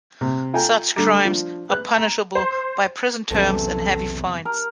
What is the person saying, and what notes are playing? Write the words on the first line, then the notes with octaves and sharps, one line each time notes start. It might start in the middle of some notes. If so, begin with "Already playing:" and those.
Such crimes are punishable by prison terms and heavy fines.
C3
F4 A4 G5 G#5 A#5
D3 G3 A3 A#5 D6
F3 D4
B4 F#6
A#5
C5
B1 E2 C3 F#3 C#4 A4
A#4